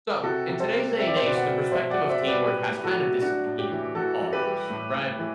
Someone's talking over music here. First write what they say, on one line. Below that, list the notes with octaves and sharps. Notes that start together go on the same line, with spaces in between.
So, in today's day and age, the perspective of teamwork has kinda disappeared, almost, right?
C3 F#4 A4
C3
A4 C5
G3
C4 E5
D5
C5
B2 B4 D5
D5 F#5
F#3
B2 C5 E5
D5 F#5
B2
C5 E5
G3
B4 D5
A2 G4 B4
A2
F#4 A4
F#3
D4 F#4
A2
G4
E3
E3 F#4 A4
E3
G4 B4
G3
A2
A2
E3